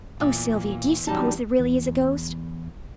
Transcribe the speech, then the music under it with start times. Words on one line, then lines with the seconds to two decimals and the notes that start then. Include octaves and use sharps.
"Oh, Sylvia, do you suppose there really is a ghost?"
0.20 E2 A#2
1.07 A1 D3 F#3 G3 D#4 A5
1.60 E2